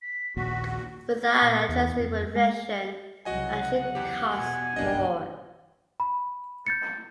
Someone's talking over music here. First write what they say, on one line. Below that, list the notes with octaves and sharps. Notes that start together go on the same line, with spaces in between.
Without adjusting for inflation, it actually cost "more".
B6
A#1 D#2 A#2 F#4
A#2
E2
F2
G#3
C2 C#3 F#3 F#4 D#5 F#5 G#5
E2 G4
B2 G#5
F#1 B1 G2 A#3 D4 D#5
B5
G6 A6 C#7